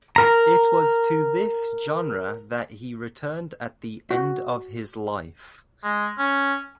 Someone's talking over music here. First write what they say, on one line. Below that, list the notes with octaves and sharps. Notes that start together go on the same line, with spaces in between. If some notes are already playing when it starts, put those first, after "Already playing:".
It was to this genre that he returned at the end of his life.
A#4 A#5
F#4
G#3
C#4